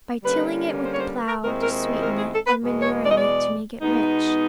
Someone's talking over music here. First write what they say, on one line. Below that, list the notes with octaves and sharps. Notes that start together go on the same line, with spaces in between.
By tilling it with the plough, to sweeten it, and manuring it, to make it rich.
D3 G3 A#3 C#4 B4
C5
C#5
C5
B4
A#4
D#2 D#3 G#3 C4 E4 A#4
A#4
A#4
G#4
A4
B4
E2 B2 G#3
C#5
D5
D#5
D5
B2 G#3 B3 D#4